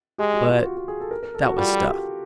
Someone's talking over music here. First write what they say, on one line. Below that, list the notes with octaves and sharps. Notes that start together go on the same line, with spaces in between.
But that was stuff.
G#3 G4
F#4
F4
F#4
F#4
G#4
A4
A#4
A#4
A4
F#4
G3 F4
F#4
G4